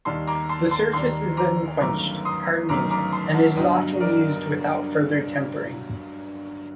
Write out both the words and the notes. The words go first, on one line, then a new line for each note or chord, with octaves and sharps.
The surface is then quenched, hardening it, and is often used without further tempering.
D#2 D#3 G3 A5 C6
A#5 D6
A5 C6
A5 C6
D#2 D#3 G3 A5 C6
A#5 D6
G1 F#2 D#3 A3 A#5 D6
C6 D#6
G1 F#2 D#3 A3 A#5 D6
A#5 D6
A5 C6
F#5 A5
G1 G2 F#3 D#5 G5
A#4 D5